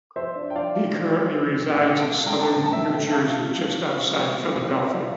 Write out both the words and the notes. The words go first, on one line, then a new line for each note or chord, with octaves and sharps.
He currently resides in southern New Jersey, just outside Philadelphia.
F3 C5 E5
D4
G5
F3 D5 F5
D4
F3
F3
A3
F3
A#2 E5 G5
A3 G5
F5 A5
A3
G5 A#5
A3
A5
A#2 G5 A#5
A5
A#2 E5 G5
A3 E5 G5
A3 F5 A5
E4
F3
F3
F3
F3
F3
F3
C4
E5
G3 D5 F5